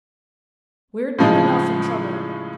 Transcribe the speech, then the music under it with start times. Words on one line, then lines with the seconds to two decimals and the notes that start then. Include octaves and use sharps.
We're deep enough in trouble.
1.19 A2 C#3 F3 G#3 D#4